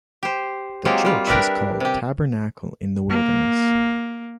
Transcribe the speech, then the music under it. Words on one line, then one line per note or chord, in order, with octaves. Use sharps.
The church was called Tabernacle In The Wilderness.
G4 C5
F#3 G#3 A#3 C4 F4 G4
G3 F4
D4 G4 A#4 B4 D5 E5
C3 G4
A#3